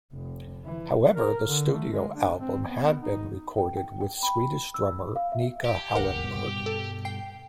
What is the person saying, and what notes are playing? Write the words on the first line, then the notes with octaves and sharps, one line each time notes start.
However, the studio album had been recorded with Swedish drummer Nicka Hellenberg.
F1
E3
A#4
D3
A3
G#3
D4
C4
B3
D#4
G5
G5
G5
B5
E6
F5
E5
G4
D#1 C#2 A#4 F#5
G2 B2 G3
A4
G5 C7